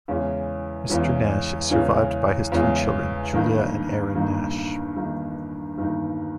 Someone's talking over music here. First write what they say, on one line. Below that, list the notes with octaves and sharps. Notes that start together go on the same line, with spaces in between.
Mr. Nash is survived by his two children, Julia and Aaron Nash.
E2 C#3 E3 G#3 C#4
E2 C#3 E3 G#3 C#4
E2 C#3 E3 G#3 C#4
E2 C#3 E3 G#3 C#4
G1 G2 D#3 A#3 D#4
G1 G2 D#3 A#3 D#4
G1 G2 D#3 A#3 D#4
G1 G2 D#3 A#3 D#4